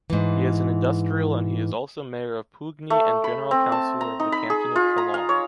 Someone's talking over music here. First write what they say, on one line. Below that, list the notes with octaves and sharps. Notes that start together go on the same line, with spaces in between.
He is an industrial and he is also mayor of Pougny and general councilor of the canton of Collonges.
G#2 E3
A3
B5
C4
A5
A#5
D#4
B5
G#4
F4
A#5
F5
C#5